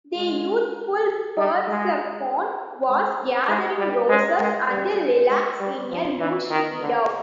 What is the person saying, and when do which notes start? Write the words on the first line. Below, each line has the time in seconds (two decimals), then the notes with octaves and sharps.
The youthful Persephone was gathering roses and lilacs in a lush meadow.
0.16 G#3
1.37 G3
1.67 G#3
2.88 G#3
3.48 G#3
3.79 G3
4.09 G#3
4.39 G#3
4.70 G3
5.29 G#3
5.60 G3
5.90 F3
6.19 E3
6.50 D#3
6.80 D3